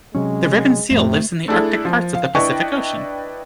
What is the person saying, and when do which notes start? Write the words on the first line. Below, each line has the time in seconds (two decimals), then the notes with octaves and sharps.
The ribbon seal lives in the Arctic parts of the Pacific Ocean.
0.15 C3 F#3 G#3 C#4
0.91 F2 A2 C3 A3
1.48 A3 D4 E4 G#4 A4
1.85 F3
2.15 F5
2.35 D4 E4 B4 D#5 G5 C#6